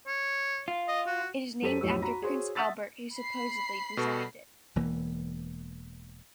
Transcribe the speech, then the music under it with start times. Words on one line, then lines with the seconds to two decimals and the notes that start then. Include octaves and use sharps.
It is named after Prince Albert who supposedly designed it.
0.07 C#5
0.68 F4
0.88 D#5
1.07 F#4
1.62 F#2 G4 A4 C5 B6 D#7
1.81 B1 F2 A2 G4 C#5 E6
2.02 F#4 A#5 B5
2.22 F#4 G#4 C5 C#5 C6
2.55 E5 F#5 D#6 E6 A6 B6
3.16 B5 C7
3.97 B2 A4 C#6
4.76 E1 E3 A#3